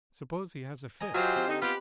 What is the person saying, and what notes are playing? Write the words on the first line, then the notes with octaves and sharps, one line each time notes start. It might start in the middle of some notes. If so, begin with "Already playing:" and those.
"Suppose he has a fit!"
D#5 G#5 A#5
F#3 F4 G4 C5 G5 G#5
C4
D3 D#4
B3 F4 G4 B4